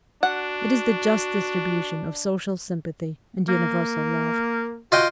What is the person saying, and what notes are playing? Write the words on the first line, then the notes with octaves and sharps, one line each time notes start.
It is the just distribution of social sympathy and universal love.
D4 F#4 F#5
A#3
F4 F#4 D#5 G5